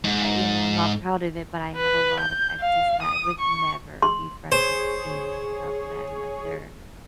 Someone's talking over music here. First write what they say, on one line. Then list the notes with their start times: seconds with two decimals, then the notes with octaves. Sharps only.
I you know, I'm not proud of it, but I have a lot of exes, and I would never be friends with any of them, like, they're
0.04 G#2
1.76 B4
2.20 G6
2.60 F5
3.02 D#6
3.40 C#6
4.02 C6
4.52 G#4 C5 C#5